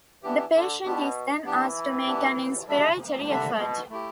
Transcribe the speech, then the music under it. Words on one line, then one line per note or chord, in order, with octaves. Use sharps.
The patient is then asked to make an inspiratory effort.
E3 B3 D4 G4
D3
B2 B3 D4 G4
E3 B3 D4 G4
B3 D4 G4
G3 D4 A4 E5
D3 G3 D4 A4 E5
B2
A3 E4 G4